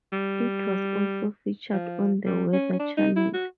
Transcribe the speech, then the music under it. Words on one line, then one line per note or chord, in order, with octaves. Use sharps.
It was also featured on the Weather Channel.
G3
F3
G3
C#4
C#4
D4
D#4
E4
F#4